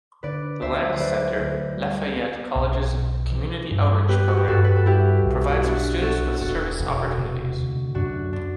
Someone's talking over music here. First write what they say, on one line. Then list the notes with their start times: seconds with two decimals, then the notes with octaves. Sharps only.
The Landis Center, Lafayette College's community outreach program, provides students with service opportunities.
0.23 D3 B4 D5
0.61 D2 C5 E5
0.94 C5
1.00 F#3 B4 D5
1.39 D2
1.78 G3
2.17 B3
2.55 B1
2.93 B2
3.31 E3
3.71 G2
4.09 B3 G4 B4
4.28 F#4
4.37 G4
4.48 G2 F#4 A4
4.64 B4
4.76 A4
4.86 G3 E4 G4
5.25 B1
5.55 E4
5.63 B3 D4 F#4
6.01 B3 F#4 A4
6.40 E1 F#4 A4
6.79 E1
7.17 C3
7.57 D2
7.95 F#2 D4 F#4
8.33 D4